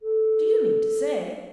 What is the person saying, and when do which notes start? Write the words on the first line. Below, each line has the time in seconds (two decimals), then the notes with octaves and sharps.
Do you mean to say--?'
0.01 A4